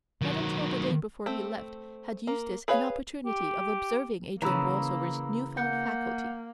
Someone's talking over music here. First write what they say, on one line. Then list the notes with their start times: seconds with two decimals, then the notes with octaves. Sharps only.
Not until the day before he left had Eustace an opportunity of observing Adrian Borlsover's new-found faculty.
0.22 D#3 F#3
1.26 A3 C4
2.27 A#3
2.68 G#4 B4 C#5 F5
3.25 G4
4.42 C#3 E3 A#3 A#5 B5 E6
5.57 A#3 F#5 G6 C#7